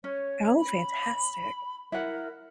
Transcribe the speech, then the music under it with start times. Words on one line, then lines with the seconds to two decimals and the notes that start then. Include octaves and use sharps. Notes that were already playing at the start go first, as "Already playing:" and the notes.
Oh, fantastic.
0.04 C#4 C#5
0.57 B5
1.92 E4 A#4 F#5